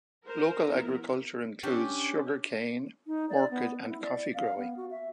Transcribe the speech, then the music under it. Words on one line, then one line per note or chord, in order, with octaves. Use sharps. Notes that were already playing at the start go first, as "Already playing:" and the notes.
Local agriculture includes sugar cane, orchid and coffee growing.
A#4 C5
F3 B3 E4 A#4
C#4 D4 G4 G5
D#4
D5
B3
E4
D5
F5
B3
F#4
E5